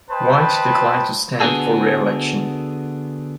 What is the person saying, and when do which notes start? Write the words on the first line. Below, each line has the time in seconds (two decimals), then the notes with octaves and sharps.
White declined to stand for reelection.
0.11 B4 C5 D#5 G5 A5 B5
1.40 D3 B3 F#4 G#4 A4